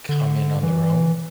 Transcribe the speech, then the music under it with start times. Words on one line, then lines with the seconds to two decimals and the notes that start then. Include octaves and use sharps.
come in on their own,
0.09 D3
0.63 E3